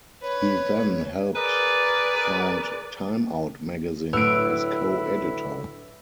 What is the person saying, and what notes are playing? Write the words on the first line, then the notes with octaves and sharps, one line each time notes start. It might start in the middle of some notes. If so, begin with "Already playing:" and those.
He then helped found "Time Out" magazine, as co-editor.
B4 C#5
G#4 A#4 B4 D5
A2 D3 F#3 E4 B4 E6 D7